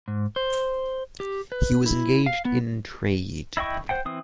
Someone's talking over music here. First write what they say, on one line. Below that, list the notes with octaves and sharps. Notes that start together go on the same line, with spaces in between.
He was engaged in trade.
G#2
C5
G4
B4
E4
F5
B3
E4 D#5 G5 C#6
C5 F#5 G5
E3 C4 D#6